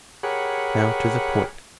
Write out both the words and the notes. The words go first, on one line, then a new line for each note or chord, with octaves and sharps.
Now, to the point.
G4 G#4 A#4 C#5 F#5 B5